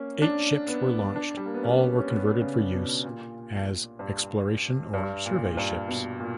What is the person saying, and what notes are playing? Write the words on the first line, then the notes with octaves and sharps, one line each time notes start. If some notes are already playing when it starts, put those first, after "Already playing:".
Eight ships were launched; all were converted for use as exploration or survey ships.
Already playing: A#3 C#4
D4
B3
D4
G3
A#3
B3
C#4
C#4
B3
C#3
B2
A#2
G2
G2
A#2
G2
B2
A#2